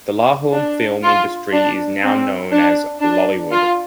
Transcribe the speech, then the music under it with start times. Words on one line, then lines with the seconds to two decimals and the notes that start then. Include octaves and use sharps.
The Lahore film industry is now known as Lollywood.
0.53 D4
1.03 F4
1.53 D4
2.02 C4
2.52 D4
3.01 D4
3.51 F4